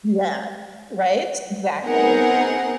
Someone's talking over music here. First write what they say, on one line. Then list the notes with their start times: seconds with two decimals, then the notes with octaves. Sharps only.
yeah, right? Exactly.
1.84 B3 C4 D#4 G#4 A#4 F#5